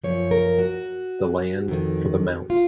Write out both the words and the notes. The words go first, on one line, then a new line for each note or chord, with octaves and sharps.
The land for the Mt.
F#2 F3 C#5
A#4
F#4
F2 D#3
F4